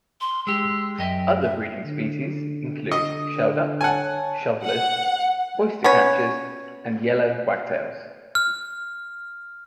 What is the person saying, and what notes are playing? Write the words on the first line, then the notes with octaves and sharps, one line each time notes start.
Other breeding species include shelduck, shovelers, oystercatchers and yellow wagtails.
C6
G#3 G4 E6
F#2 D#5 E5 G5
E5
D3
D#5
C#5 F#5 G#5 A5
F#5
B3 C#4 C#5
F6